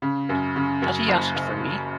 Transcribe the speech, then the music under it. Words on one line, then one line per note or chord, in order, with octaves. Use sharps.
Has he asked for me?
C#3
F#2
C#3
F#2
F#1
F#1